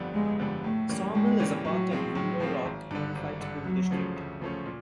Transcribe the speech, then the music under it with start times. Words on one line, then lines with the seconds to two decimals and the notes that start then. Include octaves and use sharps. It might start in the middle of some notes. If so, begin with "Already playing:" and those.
Sawmill is a part of Window Rock Unified School District.
Already playing: G1 F2 D3 G3 B3
0.14 G1 G#3
0.39 F2 D3 G3 B3
0.64 A2 A3
0.89 E3 G3 A#3 C#4
1.15 A2 G#3
1.40 E3 G3 A#3 C#4
1.65 A2 F#3
1.90 F3 G#3 C4 F4
2.15 A2
2.40 F3 G#3 C4 F4
2.65 G#1
2.91 G2 D3
3.15 G#1
3.41 G2 D3
3.65 D2 F#3
3.91 C#3 F3 A3 C#4
4.16 D2
4.41 C#3 F3 A3 C#4
4.66 A#2